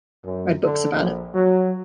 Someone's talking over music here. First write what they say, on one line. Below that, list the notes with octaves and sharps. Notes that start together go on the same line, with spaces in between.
I read books about it.
F#2
D3
A#1
F#3